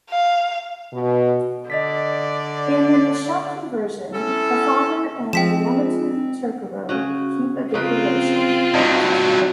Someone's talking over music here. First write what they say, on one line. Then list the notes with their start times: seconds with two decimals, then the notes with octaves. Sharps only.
In the "Nihonshoki" version, the father and Yamato Takeru keep a good relation.
0.10 F5
0.93 B2
1.70 D3 D5 D#5 A6 B6
4.13 C#4 E4 A4
5.33 F3 G#3 C4 G5 B6 E7
6.89 C#3 C#4 F#4
7.74 C#3 C4 F4 A#4 B4
8.74 G2 F#3 D#4